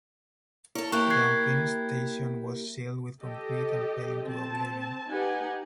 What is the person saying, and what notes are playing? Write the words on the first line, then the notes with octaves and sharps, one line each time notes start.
The unfinished station was sealed with concrete and fell into oblivion.
E4 A4 C#5
A#3 E4 G4 C#6 F#6
F#6 G#6 C7
G4 A4 D#5
C4 A5
D#4 G4 B4 F#5 G#5